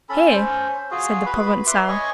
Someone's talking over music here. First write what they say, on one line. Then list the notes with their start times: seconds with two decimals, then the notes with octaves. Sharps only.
"Here," said the Provencal.
0.09 C#4 A4 B5
0.30 C#4 C5
0.91 F4 F#4 G#4
1.26 B4 B5
1.67 B4 E5 C6 D6
1.88 C#5 D#5 G#5 C#6